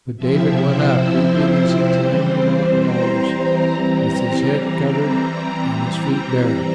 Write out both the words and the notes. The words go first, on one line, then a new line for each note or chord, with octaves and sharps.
But David went up, weeping as he climbed the Mount of Olives with his head covered and his feet bare.
C3 F3 C4 E4 E5
C5
E3 G3 C4
A#5
E3 G3 C4